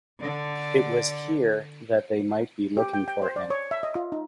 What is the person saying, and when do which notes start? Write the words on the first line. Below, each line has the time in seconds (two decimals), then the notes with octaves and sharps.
It was here that they might be looking for him.
0.21 D3 D5
2.77 G4
2.93 G5
3.08 G5
3.22 C5
3.36 D5
3.50 C#5
3.71 E5
3.83 D#5
3.95 F4
4.12 D#4